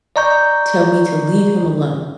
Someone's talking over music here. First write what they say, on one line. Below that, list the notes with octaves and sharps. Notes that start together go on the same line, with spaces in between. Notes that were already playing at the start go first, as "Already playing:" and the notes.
tell me to leave him alone?
D5 D#5 A#5 C#6 G6